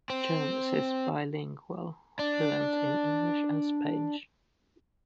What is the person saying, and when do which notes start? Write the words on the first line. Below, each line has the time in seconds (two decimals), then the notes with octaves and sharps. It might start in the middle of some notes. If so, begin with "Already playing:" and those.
Jones is bilingual, fluent in English and Spanish.
0.10 C4
2.19 D4